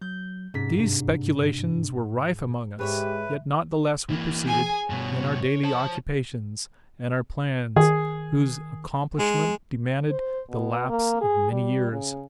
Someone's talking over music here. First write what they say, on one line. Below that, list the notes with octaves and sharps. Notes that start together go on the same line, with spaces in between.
These speculations were rife among us; yet not the less we proceeded in our daily occupations, and our plans, whose accomplishment demanded the lapse of many years.
F#3 G6
G#2 C3 C#4 B6
G2 C3 D4
G#2 G#3 G4 B4 C#5 E5
E3 A#3
G#4 G#5
G2 B2 C#5
C5 A5
D#3 G#4
G#3
C5
B2
A#3
G#4
G3
C#3